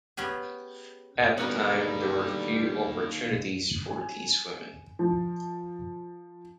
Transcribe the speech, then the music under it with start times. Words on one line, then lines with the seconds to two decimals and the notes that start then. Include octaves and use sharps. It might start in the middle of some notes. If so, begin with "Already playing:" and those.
At the time there were few opportunities for these women.
0.17 B3 C#4 G4 G#4
1.38 B2 D3 G3 A#3 B3 D#4 F#4 A#4
3.91 G#5
4.99 F3